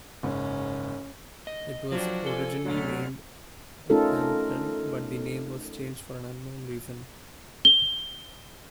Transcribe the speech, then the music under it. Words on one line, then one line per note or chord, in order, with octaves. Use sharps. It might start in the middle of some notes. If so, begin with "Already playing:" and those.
It was originally named Oakhampton, but the name was changed for an unknown reason.
F#1 G#2 C#4
D#5
F3 F#3 D4 F#4 G4
A4 G#5
D2 B2 F#3 F6
A3 C#4 D#4 F4 A4 A#4
G7